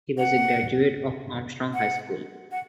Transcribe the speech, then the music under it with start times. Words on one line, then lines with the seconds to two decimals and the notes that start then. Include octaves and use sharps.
He was a graduate of Armstrong High School.
0.18 F#5
1.74 F#5
2.51 F#5